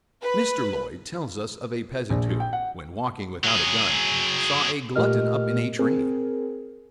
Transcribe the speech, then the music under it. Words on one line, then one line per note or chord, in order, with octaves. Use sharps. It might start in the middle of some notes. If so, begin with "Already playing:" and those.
Mr. Lloyd tells us of a peasant who, when walking without a gun, saw a glutton up in a tree.
B4
A#1
G5
F#5
F#3 G#4
A#2 A3 G4 A#4 D#5 F6
C4 G#4 A#4